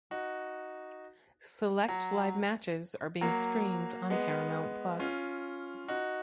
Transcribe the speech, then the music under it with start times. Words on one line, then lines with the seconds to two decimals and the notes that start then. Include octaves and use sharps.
Select live matches are being streamed on Paramount Plus.
0.11 D#4 F#4
1.88 F#3
3.21 F#3 A#3
4.10 G#3 B3
4.99 C#4 F4
5.88 D#4 F#4